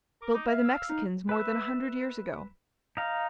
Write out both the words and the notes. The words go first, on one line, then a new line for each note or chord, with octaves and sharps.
"Built by the Mexicans more than a hundred years ago."
A#4 D6
D#4
E5 F5
E6
D#4
B4 E5
D#4 F5